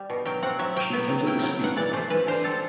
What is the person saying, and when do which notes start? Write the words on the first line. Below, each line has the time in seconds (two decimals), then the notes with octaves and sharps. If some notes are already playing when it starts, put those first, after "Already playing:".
She attempted to speak with the audience.
Already playing: G3
0.10 B2
0.25 F#3 G5
0.43 C4 F#5
0.59 F#3 E5
0.76 F#3 G5
0.93 B3
1.09 F#3
1.26 E4 G5
1.39 F#3 G5
1.61 B2 F#5
1.76 E3 D5
1.93 A3 C5
2.10 E3 B4
2.27 D3 C5
2.44 G3 A4